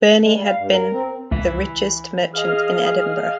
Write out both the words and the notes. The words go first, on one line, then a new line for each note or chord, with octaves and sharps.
Birnie had been the richest merchant in Edinburgh.
G#3
G3
F5
G2
A#4
C4
C#2 E3 E5
G#4 D#5 F5 F6